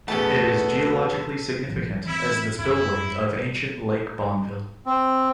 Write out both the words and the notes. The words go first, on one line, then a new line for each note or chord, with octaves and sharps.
It is geologically significant as the spillway of ancient Lake Bonneville.
E2 B2 A3 B3 C#4 D#4 A4 A5
A1 F3
E3 C4 E4
F#2 C#4 E4
C4